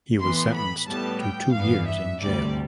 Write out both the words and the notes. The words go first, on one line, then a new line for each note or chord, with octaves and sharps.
He was sentenced to two years in jail.
A2 E3 B3 C6
B5
A2 G3 B3 A5
G5
G2 E3 B3 F5
E5
D2 C3 G3 D5